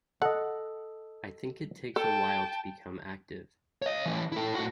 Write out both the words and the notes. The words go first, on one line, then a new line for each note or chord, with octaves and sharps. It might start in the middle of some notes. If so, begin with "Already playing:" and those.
I think it takes a while to become active.
A4 D#5 F#5
A4 G5 A5
C#5 D#5
A2 E3
E4 A4
A2 F#4